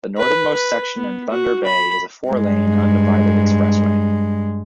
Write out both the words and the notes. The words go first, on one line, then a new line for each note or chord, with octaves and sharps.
The northernmost section in Thunder Bay is a four-lane, undivided expressway.
B4
B4
B3
F#4
B5
G2 G#3